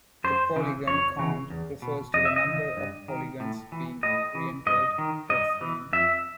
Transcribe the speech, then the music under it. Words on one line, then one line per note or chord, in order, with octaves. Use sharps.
The "polygon count" refers to the number of polygons being rendered per frame.
F#2 C5
C#3 E3
F2 C#5
C#3 E3
E2
B2
F2 D#5
E5
D#5
C#3 E3
G2
D#3
A2
E3
A2 D#5
E3
G2 D#5
D#3
G2 D#5
E3
F2 E5